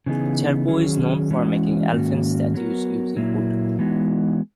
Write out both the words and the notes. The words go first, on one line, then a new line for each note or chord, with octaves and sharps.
Cherpu is known for making elephant statues using wood.
C#3 E3 B3 D#4 G#4
D#3 F#3 C#4 G#4
E3 G#3 C#4 F#4
G#2 D#3 A#3 C#4 F#4
F#3 B3 F#4 A#4
A#2 F#3 A#3 E4
E3 G#3 B3 D#4 F#4